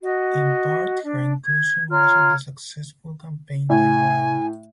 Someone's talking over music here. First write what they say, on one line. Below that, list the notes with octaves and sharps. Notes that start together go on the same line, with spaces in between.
In part her inclusion was at the successful campaign by Wild.
F#4 D#5
D4
G#6
F4 C#5 A#5 F6
A2 G#5